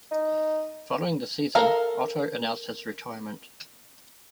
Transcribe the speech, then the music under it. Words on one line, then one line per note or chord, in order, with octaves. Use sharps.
Following the season, Otto announced his retirement.
D#4
A4 A#4 F5